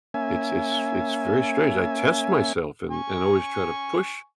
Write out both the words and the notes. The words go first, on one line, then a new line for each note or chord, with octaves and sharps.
It's it's it's very strange. I test myself and and always try to push
A#3 C#4 E5 G#5
G#5 C#6